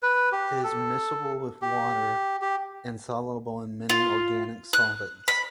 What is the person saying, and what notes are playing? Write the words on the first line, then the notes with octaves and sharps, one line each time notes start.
It is miscible with water and soluble in many organic solvents.
B4
G4
A4
G4
G4
F4
F#6
B5